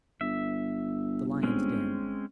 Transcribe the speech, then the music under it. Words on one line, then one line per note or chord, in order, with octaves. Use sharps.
The Lions' Den.
G1 E5
G#3 C4 C#4